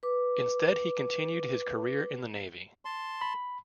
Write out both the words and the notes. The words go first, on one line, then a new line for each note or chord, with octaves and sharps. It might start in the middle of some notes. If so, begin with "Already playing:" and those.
Instead he continued his career in the navy.
B4 D6
A5 C6
B5